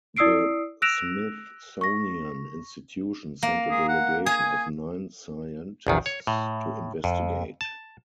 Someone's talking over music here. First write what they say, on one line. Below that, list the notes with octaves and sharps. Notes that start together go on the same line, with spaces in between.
The Smithsonian Institution sent a delegation of nine scientists to investigate.
E4 D5 D#6 E6 C7 D7
E6 F#6 A#6 D7 E7 F7
C#6 A#6
A#3
G#4
F#5
G#4 G#5
A#1 E2 D#3
C#5
A2
F2
A5